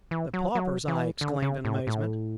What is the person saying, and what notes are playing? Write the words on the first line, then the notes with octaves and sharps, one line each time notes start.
"The paupers!" I exclaimed, in amazement.
E3
F#3
F#3
E3
D3
C#3
A2
A2